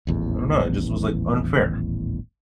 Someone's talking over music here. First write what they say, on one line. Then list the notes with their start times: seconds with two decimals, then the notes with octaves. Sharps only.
I don't know, it just was, like, unfair.
0.07 D#1 A1 E2